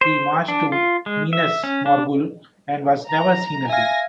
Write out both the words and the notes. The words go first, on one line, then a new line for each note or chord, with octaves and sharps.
He marched to Minas Morgul and was never seen again.
C5
D4
F4
G#3
E5
C#4
D4
A#5
E5 F5 G#5 A#6